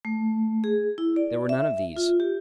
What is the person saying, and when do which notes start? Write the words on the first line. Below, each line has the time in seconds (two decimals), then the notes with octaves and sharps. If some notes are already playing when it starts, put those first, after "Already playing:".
There were none of these.
0.05 A3
0.64 G#4
0.98 E4
1.16 D5
1.49 E5
1.96 F4
2.20 G4